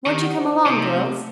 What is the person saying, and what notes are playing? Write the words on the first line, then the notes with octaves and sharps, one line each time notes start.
"Won't you come along, girls?"
D#3 G4
F#5
C5
E4
C3 D#4
A3
G4
A3